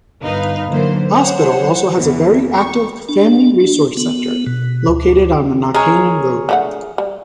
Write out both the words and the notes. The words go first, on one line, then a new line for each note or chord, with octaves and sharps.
Hospital also has a very active Family Resource Centre located on the Knockainey Road.
G1 D#4 B4 F5
D3 E3 F#3 A#3 C5
F#3 C5 C#5 F#5
E2 E3
C#6
D4
D4
B3
B2
D2
G#3 G#4 A#4 C#5
D3 A3 F#5
G3